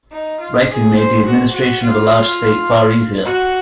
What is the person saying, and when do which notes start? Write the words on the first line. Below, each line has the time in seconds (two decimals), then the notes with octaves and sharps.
Writing made the administration of a large state far easier.
0.12 D#4
0.40 F4
0.68 G#4
0.97 C5
1.25 F#4
1.53 F#4
1.82 F4
3.26 F#4